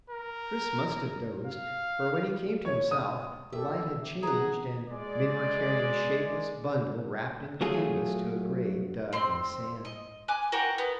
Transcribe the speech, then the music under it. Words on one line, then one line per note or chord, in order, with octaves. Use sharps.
Chris must have dozed, for when he came to himself the light had changed, and men were carrying a shapeless bundle wrapped in canvas to a grave dug in the sand.
A#4
F5
C#5
D#6
G4 A4 E5
G#4 F#5 A#5
G#3 D5
F#3 A3 F4 G#4
C4 C6
D#5
G#5 D6 F#6
F#4 A#4 F#5 G5
B3